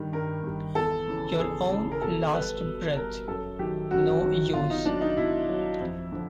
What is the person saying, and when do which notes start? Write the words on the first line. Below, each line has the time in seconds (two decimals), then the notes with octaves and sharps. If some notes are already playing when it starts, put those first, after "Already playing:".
"Your own last breath", "no use".
Already playing: G2 D#3 G3
0.12 G2 A#4
0.44 D#3 G3
0.75 E2 A4
1.07 C#3 E3
1.39 E2 G#4
1.70 C#3 E3
1.92 A#4
2.02 B2 A4
2.33 G3 B4
2.64 B2
2.96 G3 A#4
3.28 F#2 A4
3.59 D#3 F#3 G4
3.91 F#2 F#4
4.23 D#3 F#3
4.54 B2 F4
4.70 D#4
4.85 F#3 D4
5.01 D#4
5.17 B2 E4
5.49 F#3
5.80 F2
6.12 D3 F3